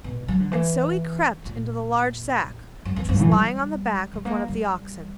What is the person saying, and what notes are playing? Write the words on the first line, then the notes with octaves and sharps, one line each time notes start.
And so he crept into the large sack, which was lying on the back of one of the oxen.
B2
F#3
D3
E3
A#2
F#2
E2
F#2
E3
G3
G3
A#3
G3